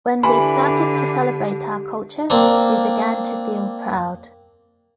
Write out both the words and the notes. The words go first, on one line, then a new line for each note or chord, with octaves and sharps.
When we started to celebrate our culture, we began to feel proud.
D3 E3 G4 B5
A#3 C4 D4